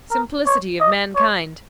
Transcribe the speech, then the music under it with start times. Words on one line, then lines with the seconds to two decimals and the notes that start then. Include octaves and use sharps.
Simplicity of mankind!
0.11 A#4
0.46 C#5
0.81 D#5
1.16 C#5